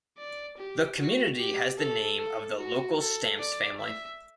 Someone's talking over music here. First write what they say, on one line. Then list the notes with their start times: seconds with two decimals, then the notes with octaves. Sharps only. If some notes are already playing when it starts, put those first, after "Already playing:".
The community has the name of the local Stamps family.
0.18 D5
0.58 G4
0.97 F#4
1.38 G4
1.78 A4
2.19 A4
2.58 F#4
2.99 A4
3.39 D5
3.79 E5